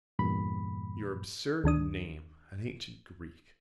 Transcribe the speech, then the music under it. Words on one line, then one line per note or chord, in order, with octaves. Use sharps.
Your absurd name, an ancient Greek!
E2 G2 A#2 B5
D2 D#3 D4 D#6